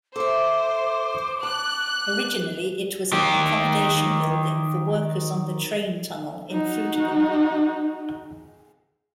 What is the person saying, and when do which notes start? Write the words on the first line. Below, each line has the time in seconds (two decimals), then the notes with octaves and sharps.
Originally it was an accommodation building for workers on the train tunnel in Frutigen.
0.16 A4 C5 E5 D6
1.43 A5 F#6
3.13 D#3 G4
6.52 D#4 F#4